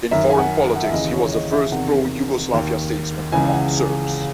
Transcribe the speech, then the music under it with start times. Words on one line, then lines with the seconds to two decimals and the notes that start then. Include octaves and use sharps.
In foreign politics, he was the first pro Yugoslavia statesman among Serbs.
0.11 F#2 D#3 E5
0.30 G#5
0.38 F#5
0.76 F#5
0.83 E5
0.92 D#2 C#3 E3 D#5
1.12 C#5
1.32 D#5
1.52 E5
1.72 E2 C3 D#3 F#5
2.52 D#2 D#3
3.32 C#2 C#3 E3 G#5
3.53 F#5